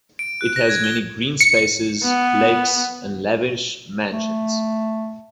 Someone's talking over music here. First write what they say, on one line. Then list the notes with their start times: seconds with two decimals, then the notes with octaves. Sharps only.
It has many green spaces, lakes, and lavish mansions.
0.19 D7
0.41 F#6
0.56 A#6
0.69 G#6
0.84 G7
1.41 C#7
2.04 B3
4.12 A3